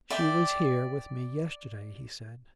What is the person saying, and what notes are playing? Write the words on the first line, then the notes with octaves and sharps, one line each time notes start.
'She was here with me yesterday,' he said.
D5 E5 G5